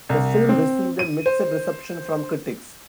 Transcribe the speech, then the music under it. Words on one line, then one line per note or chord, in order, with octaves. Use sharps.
The film received a mixed reception from critics.
C2
C4
D#7
C5